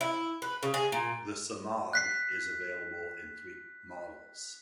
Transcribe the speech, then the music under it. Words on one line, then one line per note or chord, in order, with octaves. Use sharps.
The Samad is available in three models.
E4
B4
C#3
G#4
A#2
F#6 B6 C7